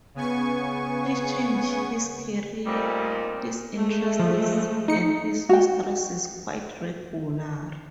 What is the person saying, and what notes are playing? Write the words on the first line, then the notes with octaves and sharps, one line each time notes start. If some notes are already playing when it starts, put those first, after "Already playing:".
He changed his career, his interests and his mistresses quite regularly.
C#3 B3 G#5 C#6
A#2 G3 C4 D#4
G#3 A3
F3
D#4 C#7
F#4 G5